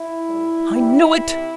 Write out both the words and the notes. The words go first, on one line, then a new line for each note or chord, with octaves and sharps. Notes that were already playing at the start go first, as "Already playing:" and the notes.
I knew it.
Already playing: E4
A2 G3
C3 E3 G3 E4
C3